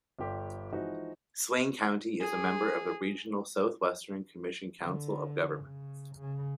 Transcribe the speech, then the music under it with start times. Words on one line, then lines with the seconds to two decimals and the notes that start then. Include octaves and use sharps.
Swain County is a member of the regional Southwestern Commission council of governments.
0.19 G1 F4 G4 A4 D5
0.73 E3 F3 G#3 D#4 F#4
2.20 G#4
4.82 D3
5.64 C#3
6.16 C#3